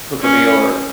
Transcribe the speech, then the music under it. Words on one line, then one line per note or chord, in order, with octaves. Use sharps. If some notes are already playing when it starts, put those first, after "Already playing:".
cook a meal or
C#4